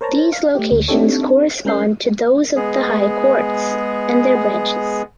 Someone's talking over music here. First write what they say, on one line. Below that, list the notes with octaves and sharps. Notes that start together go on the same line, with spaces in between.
These locations correspond to those of the High Courts and their branches.
A#4 C5 C#5 A5 A#5
F5
A3 G4
D2
C4 D4 D#4 G4 A4 C#5
G#3 C#4 A#4 G6 C7
G#3 B3 G#4